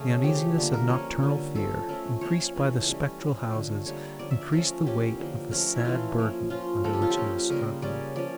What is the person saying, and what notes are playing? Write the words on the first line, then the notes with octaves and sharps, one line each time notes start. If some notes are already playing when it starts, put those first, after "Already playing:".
The uneasiness of nocturnal fear, increased by the spectral houses, increased the weight of the sad burden under which he was struggling.
Already playing: C#3 A3 C#4
F3 A3 C#4 G4
D3 G3 A#3
A#4
F3 A#3 C#4 C#5
D3 G3 C#4
F3 A3 C#4 A4
F3 A3 C#4 A#4
F3 A#3 C#4 C#5
C#3 E3 A3 C#4
E3 G3 C#4
F3 C#4
D3 A3 C#4
D3 G3 A#3 C#5
D3 F3 C#4 D5
E5
D5
F3 A3 C#4 A#4
E3 A#3 C#4 G4
D3 F3 A#3
F3 A3 C#4 A#4
E4
E3 A3 C#4 F4
F3 A#3 C#4
F3 C#4 F4
F3 A#3 C#4 A4
G4
F4
G4
F3 A#3 C#4
C#3 G3 A#3 A#4
C#3 G3 C#4 D5
F3 C#4 D5